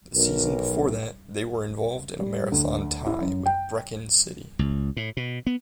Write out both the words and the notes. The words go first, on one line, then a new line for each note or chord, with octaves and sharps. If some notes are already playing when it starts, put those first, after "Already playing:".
The season before that, they were involved in a marathon tie with Brechin City.
B1 A#4
G3
D2
E4
F#2
G5
C#2
A2
B2
B3